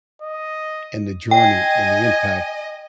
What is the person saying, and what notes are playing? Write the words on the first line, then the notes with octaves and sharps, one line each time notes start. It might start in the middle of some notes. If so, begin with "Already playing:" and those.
in the journey and the impact
D#5
D#5 G5 G#5